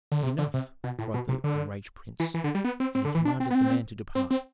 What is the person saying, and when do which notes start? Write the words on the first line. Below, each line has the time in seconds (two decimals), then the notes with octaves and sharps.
"Enough!" cried the enraged prince; and he commanded the man to depart.
0.12 D3
0.23 C3
0.39 D3
0.54 C3
0.84 B2
0.99 A2
1.14 B2
1.29 C3
1.44 D3
2.20 E3
2.34 E3
2.44 D3
2.55 G3
2.65 B3
2.80 C4
2.95 C4
3.05 D3
3.15 E3
3.25 D4
3.40 C4
3.51 B3
3.55 C4
4.15 C4
4.31 C4